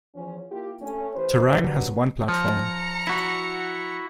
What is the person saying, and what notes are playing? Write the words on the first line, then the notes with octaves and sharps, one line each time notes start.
Terang has one platform.
E2 F3 C#4
A#3 E4 F4 G4
A3 C#4
E3 G4 B4 C5
B2 F#3 D4 G4 B4
F3 A#5 C#7
E4 F#4